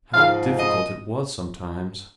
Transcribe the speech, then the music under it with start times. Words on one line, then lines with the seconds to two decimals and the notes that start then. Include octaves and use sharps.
How difficult it was sometimes.
0.14 G#2 F3 F5
0.58 D#5